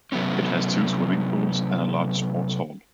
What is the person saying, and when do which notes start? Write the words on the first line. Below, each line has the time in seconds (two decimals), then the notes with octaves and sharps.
It has two swimming pools and a large sports hall.
0.12 C3 F#3 A3 B3 C#4